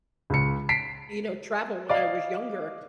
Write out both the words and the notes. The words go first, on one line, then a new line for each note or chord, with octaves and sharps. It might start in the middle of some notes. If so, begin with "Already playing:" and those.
you know travel when I was younger
C#2 C#7
B6 C7 D7
D5 D#5 F5